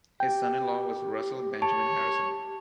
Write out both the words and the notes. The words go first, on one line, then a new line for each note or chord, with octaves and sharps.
His son-in-law was Russell Benjamin Harrison.
G4 G5
C#5 A5